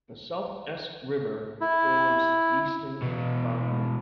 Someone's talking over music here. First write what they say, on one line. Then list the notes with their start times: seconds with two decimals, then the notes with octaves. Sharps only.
The South Esk River forms the eastern boundary.
1.61 E4
3.02 B2 E3